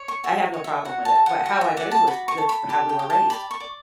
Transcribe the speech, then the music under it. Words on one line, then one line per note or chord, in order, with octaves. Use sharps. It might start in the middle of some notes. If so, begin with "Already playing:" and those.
I have no problem with it. But how I got into it is that's how we were raised.
Already playing: C#5
C#6
F#4 E5
C#5
E5
F#4 F#5
A5
A4
F#5
F#4 F#5
E5
D5 F#5
A5
F#4 B5
C#6
A4
B5
G4 A5
G5
G4
A5
D5 B5
C#6
D5